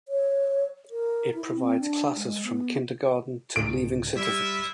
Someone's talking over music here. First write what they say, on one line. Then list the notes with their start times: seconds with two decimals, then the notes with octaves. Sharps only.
It provides classes from kindergarten to Leaving Certificate.
0.08 C#5
0.90 A#4
1.34 E4
1.56 C4
1.79 D4
2.16 G#3
2.44 B3
3.56 C2 G#2 C#3 D7
4.16 G3 E4 F4 E5